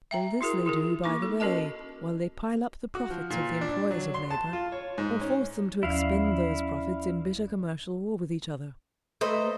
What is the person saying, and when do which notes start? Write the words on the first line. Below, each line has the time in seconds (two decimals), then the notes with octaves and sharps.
All this they do by the way, while they pile up the profits of the employers of labour, or force them to expend those profits in bitter commercial war with each other.
0.11 E5 G5 A#5
0.41 E4 F#4 G#4 A#4
0.66 E4 G#4 A#4
1.04 A#3 D#4 C#6 D6
1.22 A4
1.40 C#4 F#4 A#4 D#5 A5
2.95 F#4
3.10 F3
3.30 A#2
3.61 D4
3.91 F#3
4.14 C6
4.31 A5
4.53 F4
4.72 C#5
4.98 G#2
5.21 C#4
5.83 D#2 F3 C#4 E4 D5 F5
9.21 A3 B4 C5 D#5 A#5